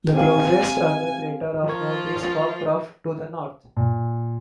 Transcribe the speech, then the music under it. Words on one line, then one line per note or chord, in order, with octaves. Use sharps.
The closest other crater of note is Cockcroft to the north.
C4 G4 F5 G#5
F3 F4 A#4 C#6 G#6
A#2